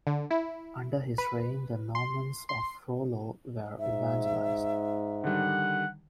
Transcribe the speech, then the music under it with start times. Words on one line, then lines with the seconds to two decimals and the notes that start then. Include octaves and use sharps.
Under his reign the Normans of Rollo were evangelized.
0.07 D3
0.31 E4
1.18 B4
1.95 C6
2.49 C6
3.79 G#2 E5
5.24 D3 D#3 G3 F#5